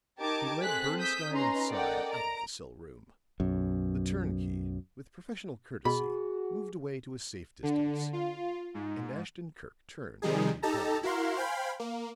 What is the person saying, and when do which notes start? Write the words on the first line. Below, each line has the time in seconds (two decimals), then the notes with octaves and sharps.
He led Bernstine and Sime out of the cell room; the turnkey, with professional courtesy, moved away to a safe distance, and Ashton-Kirk turned to the Italian.
0.20 D#4 G4 A#4 A5 D6 G#6
0.62 C4 G#4 A4 F#6 B6
0.98 D#6 E6 G6 B6
1.31 C#4 D#4 B4 A#5 C6
1.68 A4 A#4 D5 D#5 F#5 G5
2.12 A#5 D7
3.40 B1 F#2
5.85 B2 F#4 G#4 B5
7.63 D3
8.13 F4
8.74 G#2
10.22 C3 D#3 F3 G3 D#4 G#4
10.62 D#4 G4 A4 A5 A#5
11.03 E4 F#4 A#4 F5 C6
11.36 C5 F5 G5 G#5 B5
11.80 A#3